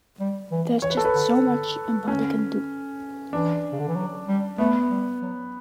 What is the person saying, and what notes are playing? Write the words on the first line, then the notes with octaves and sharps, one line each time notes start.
There's just so much a body can do.
G3
E3
E3 C#5
B4
A4
B4
D3
D3
D3 C#4
E3 D4
C#3
D3
E3
F#3
G3
A3 B3
G3
F#3